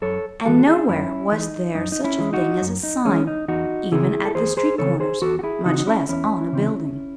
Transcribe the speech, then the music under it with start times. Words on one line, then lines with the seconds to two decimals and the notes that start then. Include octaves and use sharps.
And nowhere was there such a thing as a sign, even at the street corners, much less on a building.
0.02 F#2 A4 C#5
0.45 E3 G#3 F#4 A4
0.59 F#4
0.67 E4 G#4
0.89 F#2 C#4 E4
1.32 E3 G#3 D#4
1.75 F#2 D#4
1.92 D#4
2.04 C#4 E4
2.18 E3 G#3
2.33 D#4 F#4
2.62 F#2
2.83 D#4
3.05 E3 G#3 C#4
3.27 D#4
3.48 E2 D#4 F#4
3.92 C#3 E3 C4 E4 G#4
4.25 A4
4.35 E2 G#4 C5
4.57 G#4 C5
4.78 C#3 E3 C4 A4 C#5
5.00 G#4 C5
5.22 E2 F#4 A4
5.39 F#4
5.43 E4 G#4
5.65 C#3 E3 C4 D#4 F#4
5.78 D#4
5.87 C#4 E4
6.09 E2 C#4 E4
6.52 C#3 E3 C4